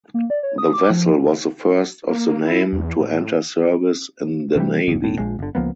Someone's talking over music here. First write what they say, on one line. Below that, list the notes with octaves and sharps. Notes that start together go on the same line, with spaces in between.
The vessel was the first of the name to enter service in the navy.
A#3
D5
C#5
D#6
D6
F3
A#3
E4
E2
A2
C3 E3 F#3 G3
D1 G1 F2
E1 A2
A#1 F3 G#3
G1 D3
C#2 F3 A#3 B3